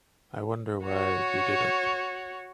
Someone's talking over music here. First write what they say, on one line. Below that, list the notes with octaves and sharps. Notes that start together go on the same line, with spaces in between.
I wonder why you didn’t.
F#4 C#5